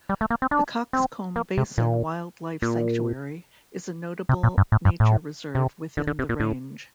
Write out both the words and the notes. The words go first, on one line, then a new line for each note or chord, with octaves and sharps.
The Cockscomb Basin Wildlife Sanctuary is a notable nature reserve within the range.
G3
A3
A#3
C4
D4
C4
A#3
C3
A#2
A#2
C3
A#2
G2
A2
G2
A2
C3
D3
D3
C3
A#2
A2